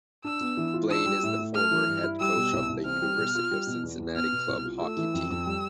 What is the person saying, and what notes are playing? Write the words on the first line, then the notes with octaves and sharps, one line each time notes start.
Blaine is the former head coach of the University of Cincinnati club hockey team.
D4 E6
B3
E3
F4
D4 E6
G3
A2
A2
A3 F6
E3
G2
E4
G3 E6
B2
C2
C2
C4 F6
G3
B2
F4
G3
B2
E2
E2
B3 F6
B2
C2
F4
A3 E6
E3
F2
F2
G3